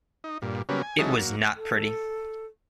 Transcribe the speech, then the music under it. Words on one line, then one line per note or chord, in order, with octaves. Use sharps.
It was not pretty.
D#4
G2 A#2
C#3 F#3 G3 A#3 B3 C#4
G#5
E3 F#3 G#3 C#4 D#4 A4
F#3 A#3
A4